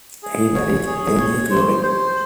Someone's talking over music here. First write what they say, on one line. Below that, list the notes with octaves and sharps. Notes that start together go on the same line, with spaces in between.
He married Angie Furey.
G#4
C#5
G#4
C#5
C5
C5